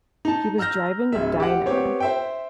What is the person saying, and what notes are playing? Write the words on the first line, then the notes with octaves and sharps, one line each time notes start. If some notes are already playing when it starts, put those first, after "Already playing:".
He was driving a Dino.
D#4 A5
A#5 E6 F6 G6 A#6
D1 E5
G4 F#5
B3 C4 G4 C#5
C5 E5 G5